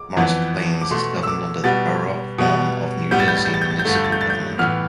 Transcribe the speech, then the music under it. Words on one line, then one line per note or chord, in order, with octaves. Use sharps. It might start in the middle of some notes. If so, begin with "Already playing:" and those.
Morris Plains is governed under the Borough form of New Jersey municipal government.
Already playing: D6
F2 E3 B3
D6
B2 A3 C6
E6
D6
B2 G3 B3 A6
B2 G3 B3
A2 G3 B3 G6
A6
G6
A6
G6
A6
G6
A6
G6
G2 D3 A3 A6
G6
A6
G6
A6
G6
A2 E3 B3 F6